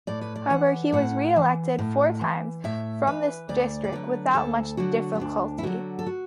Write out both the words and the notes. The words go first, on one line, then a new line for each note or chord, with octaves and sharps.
However, he was reelected four times from this district without much difficulty.
A2 D5
B4
D5
E3 F#5
A2 F#5
E3
A2
E3
A2 E5
E3 B4
D2 D5
D5
D3 F#3 B4
D2 A4
D3 F#3 F#4
B3
D2 D4
E4
D3 F#3 F#4
A4
F#4